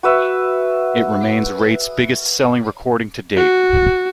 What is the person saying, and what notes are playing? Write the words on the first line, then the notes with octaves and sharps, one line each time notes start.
It remains Raitt's biggest-selling recording to date.
F#4 B4 E5
F#4